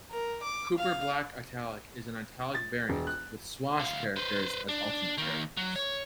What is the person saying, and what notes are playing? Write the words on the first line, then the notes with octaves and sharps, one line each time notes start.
Cooper Black Italic is an italic variant, with swash characters as alternate characters.
A#4
D6
F5
A6
E1
F#6
D2 F5
B4 C5
D4
D#3 A#3
F#3
C#5